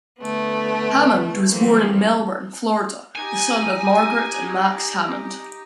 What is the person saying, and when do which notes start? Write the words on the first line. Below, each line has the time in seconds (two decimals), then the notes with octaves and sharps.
Hammond was born in Melbourne, Florida, the son of Margaret and Max Hammond.
0.20 D3 A3 B3
1.49 E3 F#3 G3 A3 A#3 C4
3.16 D#4 G4 G#5